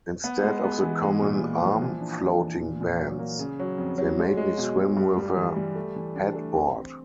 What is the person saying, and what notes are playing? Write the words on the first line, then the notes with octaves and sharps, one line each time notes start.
Instead of the common arm floating bands, they made me swim with a headboard.
B3
G#3
B3
E3
G#3
A#2
A#2
F3
E3
D4
E3
E3
A#2
A#2
F#3
A#3
C#3
F#3
F2
F#3
G#3
G#3
B2
G#3
G2
G3
E3
G3
A3
E3
D4
A3
C4
C4